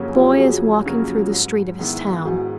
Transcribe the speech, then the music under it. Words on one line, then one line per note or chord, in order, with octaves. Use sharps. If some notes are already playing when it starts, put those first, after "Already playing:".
The boy is walking through the street of his town.
Already playing: F2 C#3 F#3 A#3 C#4 G4
G#4
F4 G4
F2 F#4 G#4
C#3 F#3 A#3 C#4
G#2
D#3 G#3 B3 E4
G#2 F#4 G#4